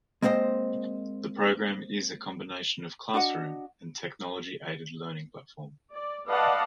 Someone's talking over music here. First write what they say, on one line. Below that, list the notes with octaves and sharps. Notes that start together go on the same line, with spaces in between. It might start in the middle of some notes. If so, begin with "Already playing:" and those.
The programme is a combination of classroom and technology aided learning platform.
G#3 A#3 C4 C5 D#5
D4 F#4 D#5 F#5
D5
B4 D5 D#5 F5 F#5 A5